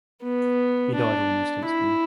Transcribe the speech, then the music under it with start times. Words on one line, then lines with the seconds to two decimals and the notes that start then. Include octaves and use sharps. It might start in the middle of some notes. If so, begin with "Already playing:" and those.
He died almost instantly.
0.23 B3
0.95 D4
1.66 E4